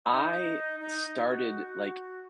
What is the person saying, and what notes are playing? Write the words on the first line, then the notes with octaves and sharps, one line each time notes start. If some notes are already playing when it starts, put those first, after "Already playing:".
I started, like,
D#4
D#4
F#4